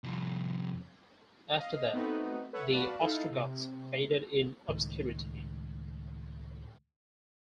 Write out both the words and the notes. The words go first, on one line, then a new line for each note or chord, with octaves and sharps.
After that, the Ostrogoths faded in obscurity.
C2 F2
D#5 F5
A3 B3 C4 D#4 F#4 B4
A4 B4 C#5 E5 F#5
F#4 B4 D5 F5 A5
D#4 E4 A4 F5
C3
C#2 A2 D#3